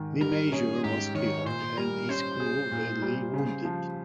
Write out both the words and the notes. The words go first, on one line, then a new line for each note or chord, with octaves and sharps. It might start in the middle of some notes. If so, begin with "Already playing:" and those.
The major was killed and his crew badly wounded.
Already playing: G#2 D#3
G3 A#4
C#4 G#4
G#2 G4
D#3 C#5
A#2 C5
G3 A#4
C#4 C5
G#4
A#2
G3
C#3
F3